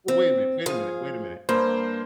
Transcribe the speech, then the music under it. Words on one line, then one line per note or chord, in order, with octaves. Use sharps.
Wa wait a minute wait a minute wait a minute,
C4
F3 G#4 F5
G2 A#3 C5